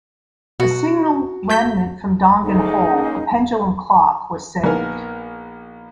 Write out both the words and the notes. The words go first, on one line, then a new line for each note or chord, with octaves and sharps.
A single remnant from Dongan Hall, a pendulum clock, was saved.
B2 F#4
A3 G6 B6
D2 D#4 G#4
G#3 A#3 C#4
A#1 B3 D#4 A#4 G#5